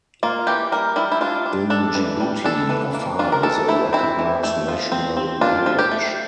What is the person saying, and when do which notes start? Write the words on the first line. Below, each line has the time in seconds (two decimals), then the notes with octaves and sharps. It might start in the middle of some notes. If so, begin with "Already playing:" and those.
In Djibouti, Afar is a recognized national language.
0.23 A#3 F4
0.47 E3 G4
0.72 G3 A#4
0.96 G3 E4
1.12 E4
1.21 D4 F4
1.46 D4
1.70 D4 A4
1.95 E3
2.20 G3
2.44 D4 A4
2.69 E3
2.94 A#3
3.19 D4 F4
3.32 A#4
3.43 E3 A4
3.68 A3 E4
3.93 C4 E4
4.19 E3
4.43 A3
4.68 F3
4.92 C4
5.17 C4
5.41 D4 F4
5.66 F3
5.79 G4
5.91 A3